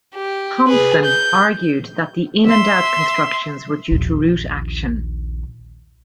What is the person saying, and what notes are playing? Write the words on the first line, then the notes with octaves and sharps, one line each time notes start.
Thompson argued that the "in-and-out" constructions were due to root action.
G4
G#4 B4
G6
E5 C6
A#1 D#2